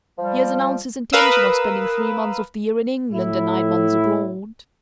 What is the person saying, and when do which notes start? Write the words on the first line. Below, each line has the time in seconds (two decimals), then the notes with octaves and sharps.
He has announced his intention of spending three months of the year in England and nine months abroad.
0.19 F3 G3
1.13 A#4 B4 F5 D#6 E6
3.12 A2 E4